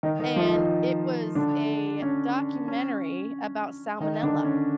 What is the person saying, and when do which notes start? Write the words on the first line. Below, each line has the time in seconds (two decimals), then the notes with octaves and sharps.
and it was a documentary about salmonella.
0.03 D#3 D#4
0.19 D#3 D#4
0.36 F3 F4
0.53 D#3 D#4
1.35 D3 D4
2.02 C#4
2.68 C#4
4.00 D#3 D#4
4.23 D3 D4
4.44 C#4